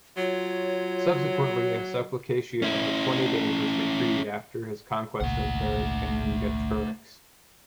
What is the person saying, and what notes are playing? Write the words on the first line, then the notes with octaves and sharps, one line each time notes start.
Subsequently a supplicatio of twenty days was decreed after his conquest of Vercingetorix.
F#3 F4 C#5
C#4 E4
G#1 C#2 A#2 A3 F#5